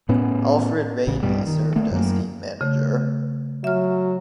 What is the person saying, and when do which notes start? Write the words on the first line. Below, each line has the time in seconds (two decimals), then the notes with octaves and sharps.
Alfred Ranney served as team manager.
0.09 A2 B3 C#4
1.07 A1 C#3
1.23 B1 G2 B2 G3
1.47 D#3
1.76 D3 A3 A#3
1.91 F#2 F#3 A#3
2.61 C#3 A3
3.64 F#3 E5 F6